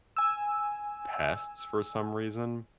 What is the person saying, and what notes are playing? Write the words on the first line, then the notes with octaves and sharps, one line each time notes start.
pests for some reason.
G#5 E6